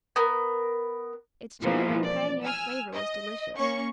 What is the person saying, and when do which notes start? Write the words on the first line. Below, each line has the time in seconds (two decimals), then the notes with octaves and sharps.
Its genuine pioneer-flavor was delicious.
0.16 B3 A#4
1.61 B2 E3 F3 G#3 A#3
2.04 D5
2.45 G#5 E6 F6
2.93 D#5
3.57 A#3 C#4 C#6